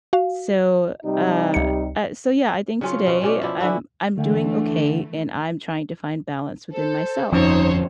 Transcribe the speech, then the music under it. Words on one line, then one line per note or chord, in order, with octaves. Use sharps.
So, uh uh, so yeah, I think today I'm I'm doing okay and I'm trying to find balance within myself.
F#4 F5
C3 G3 D#4
C#2 C#7
C#3 F#3 C#4 F4
B2
B2 C#4 D5
F3 E4 D5
D3 E3 E4 F#4
D2 D3 E3 A3
A4 C5
G1 F2 F3 C#4 D#4 C5 C#5